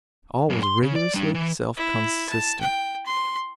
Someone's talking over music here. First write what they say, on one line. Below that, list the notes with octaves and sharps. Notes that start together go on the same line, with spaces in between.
All was rigorously self-consistent.
F#2 A#3
C6
C#3
D5
G3 D4
E3
E4
A5
G5
C6